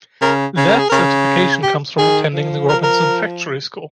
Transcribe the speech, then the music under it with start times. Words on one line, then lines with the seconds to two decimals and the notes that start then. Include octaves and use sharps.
That certification comes from attending the Robinson factory school.
0.22 C#3 A#4
0.57 C#3
0.68 A#4
0.79 G#4
0.89 C#3 A#4
1.63 G4
1.98 D#3 G#4
2.34 F3
2.69 A#4
2.84 A#4